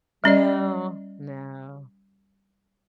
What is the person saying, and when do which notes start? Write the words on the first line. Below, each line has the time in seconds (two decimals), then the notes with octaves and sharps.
No, no.
0.24 G3 C#4 D5 D#5